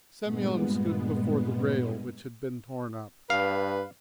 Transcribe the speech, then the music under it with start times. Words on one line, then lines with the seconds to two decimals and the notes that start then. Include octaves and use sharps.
Semyon stood before the rail which had been torn up.
0.22 G2 A#2 G#3 B3
3.30 G2 B4 F5